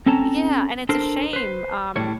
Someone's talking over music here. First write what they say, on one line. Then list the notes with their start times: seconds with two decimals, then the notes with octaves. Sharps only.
yeah, and it's a shame, um,
0.06 C4 C#4 A4 C#5 A5 A#5
0.89 D4 A4 A#4 C5
1.33 B4 C5
1.96 A2 G3 C#5